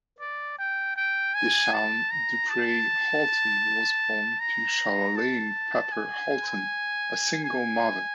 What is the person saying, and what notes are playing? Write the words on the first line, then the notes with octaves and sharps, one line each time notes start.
DeShaun Dupree Holton was born to Sharallene "Pepper" Holton, a single mother.
D5
G5
G5
G#5
A5
A#5
A5
A#5
A5
G#5
G#5